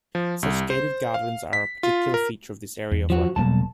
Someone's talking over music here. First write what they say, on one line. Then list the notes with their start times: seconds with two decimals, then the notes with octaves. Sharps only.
Such gated gardens are a particular feature of this area of London.
0.15 F3
0.43 C2
0.70 C5
1.14 F5
1.53 B6
1.83 F4
2.14 A#4
2.91 E2
3.10 F3 F#4
3.36 E1 B1 F#2 G3 A#3 A5